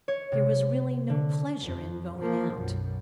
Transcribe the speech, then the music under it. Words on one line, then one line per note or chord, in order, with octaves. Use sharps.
There was really no pleasure in going out.
C#5
C3
D3
F2
F3 A#3
B1 F#2